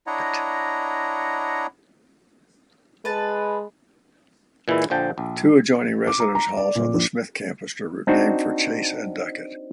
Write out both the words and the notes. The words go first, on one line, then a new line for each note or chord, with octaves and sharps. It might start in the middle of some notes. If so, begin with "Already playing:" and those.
Two adjoining residence halls on the Smith campus are named for Chase and Duckett.
D4 E4 C#5 D#5 F#5 A#5
G#3 B4 A5
A#2 E3 G#3 E4
A#1 D3 F3 G5 A5
A#1
D6
A#5
A#5
D5
A#2
A#1
C4 D4 D#4 F#4 C5